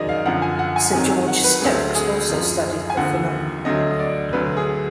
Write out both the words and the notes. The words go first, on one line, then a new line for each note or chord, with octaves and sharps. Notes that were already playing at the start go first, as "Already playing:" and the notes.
Sir George Stokes also studied the phenomenon.
Already playing: F#2 D#3 F#3 G#4 D5 D#5
F5
F#2 D3 F3 F#5
G#5
F#5
G#5
F2 D#3 F#3 G#5
G#5
F#5
B4
D2 D3 F#3 G#4
G#4
F#2 F3
G#5
D#2 D3 F3 F#5
D2 D3 F#3 D#5
D#5
D5
D2 D3 F#3 B4
G#4